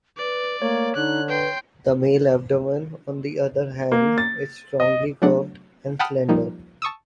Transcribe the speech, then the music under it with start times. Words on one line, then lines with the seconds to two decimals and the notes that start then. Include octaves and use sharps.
The male abdomen, on the other hand, is strongly curved and slender.
0.18 B4 D5
0.62 A3 A#3 C#5
0.96 D3 D#4 F#6
1.28 B4 G5 C6
3.92 A#3
4.18 A6
4.80 D#5
5.22 F#3 A3 B3 D4 F#5
5.99 F#5 G5 A5 B5 D#6 F6
6.28 F3 G3 A#3 D#4
6.82 A5 C#6 D#6 E6